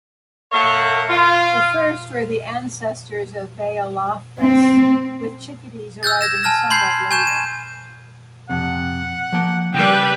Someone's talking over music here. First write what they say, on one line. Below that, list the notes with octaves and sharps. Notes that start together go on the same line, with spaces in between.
The first were the ancestors of "Baeolophus", with chickadees arriving somewhat later.
A#3 A4 A#4 C#5 E5 F#5
F4
C4
E6 F#6 G6 A6
G#6 A#6 E7
G#5 A5 F6 F#6 A#6
B5 C6 G6 G#6 C7
G#5 C#6 G6 G#6 E7
D#7
F2 C3 F#5
F3 A#3 G5
C#3 G3 B4 G5